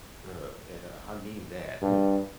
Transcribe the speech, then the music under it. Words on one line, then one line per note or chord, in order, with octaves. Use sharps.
Huh, and I mean that too.
G2